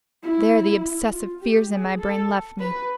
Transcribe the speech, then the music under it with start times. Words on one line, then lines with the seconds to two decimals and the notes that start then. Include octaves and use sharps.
There the obsessive fears in my brain left me.
0.23 E4
1.11 F4
1.41 G4
1.70 G#4
2.00 A4
2.59 B4